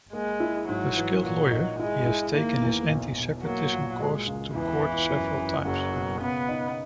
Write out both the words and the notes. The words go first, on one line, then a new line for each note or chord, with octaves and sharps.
A skilled lawyer, he has taken his anti-separatism cause to court several times.
G#3 A#3
E4
G#2 F#3
E3
A#2 F#3
D#4
G#3 E4
E4
D#3 A#3
E2
B1
B1
F#3 A#3
A#2
G#3
C#2
E2 E3
E2
F#2
F#2
F#1 F#3
B2
C#3 B3
D#4